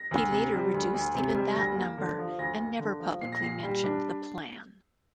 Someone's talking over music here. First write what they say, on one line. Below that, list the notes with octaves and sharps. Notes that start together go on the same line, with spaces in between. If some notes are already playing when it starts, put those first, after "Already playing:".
He later reduced even that number and never publicly mentioned the plan.
Already playing: A#6
D2
C3
G3
D2
D2
C3
G3
D2 A#6
A#3
D3
F3
D2 A#6
A#3
D3
F3
A#2 C7
A#6
A#2 C7
G3
D4